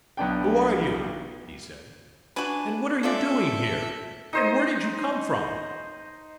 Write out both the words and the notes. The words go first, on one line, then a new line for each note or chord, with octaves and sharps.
"Who are you?" he said, "and what are you doing here, and where did you come from?"
B1 B3 D4 G5
D4 F#4 B4 G#5
C#4 F4 A4 D5 E5
D#4 C5 D#5